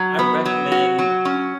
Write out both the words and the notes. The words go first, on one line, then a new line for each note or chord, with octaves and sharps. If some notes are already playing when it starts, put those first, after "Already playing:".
I recommend,
Already playing: F#3
B3
F#3
F#4
F#3
C#4